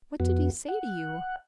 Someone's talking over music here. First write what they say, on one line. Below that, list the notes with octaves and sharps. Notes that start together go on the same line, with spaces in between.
"What did he say to you?"
F2 B3 F#4
F#5